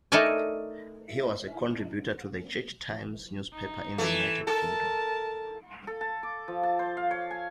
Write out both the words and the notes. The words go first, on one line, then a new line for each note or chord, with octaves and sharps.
He was a contributor to the 'Church Times' newspaper in the United Kingdom.
A3 D#4 A4 A#4 D5 G#5
D#4
E3 A3
A4 A#4 A5
A4
A5
D6
F3
A5
C5
F5
C#5
G#5